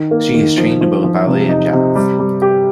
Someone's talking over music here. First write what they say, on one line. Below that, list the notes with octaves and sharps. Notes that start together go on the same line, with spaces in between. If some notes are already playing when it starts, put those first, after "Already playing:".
She is trained in both ballet and jazz.
Already playing: D#3
A#3
D#3
F3
F3
F3
C3
D#4
C3
G3
G3
G4